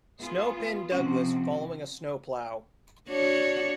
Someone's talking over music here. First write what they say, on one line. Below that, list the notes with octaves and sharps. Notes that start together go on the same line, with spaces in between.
Snow pinned Douglas following a "Snow Plow".
B3 F4 G#4
C3 F3 C#4 F#5
D4 F#4 C#5